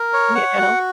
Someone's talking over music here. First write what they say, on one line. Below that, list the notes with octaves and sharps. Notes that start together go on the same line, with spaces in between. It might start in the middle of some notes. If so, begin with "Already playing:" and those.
You know?
Already playing: A#4
C#5
F#5
F#4